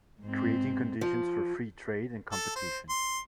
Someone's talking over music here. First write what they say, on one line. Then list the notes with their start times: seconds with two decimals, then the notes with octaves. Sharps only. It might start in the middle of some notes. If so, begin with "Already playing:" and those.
Creating conditions for free trade and competition.
0.22 G#2 C4
1.01 F3
2.32 A4
2.56 C5
2.89 C6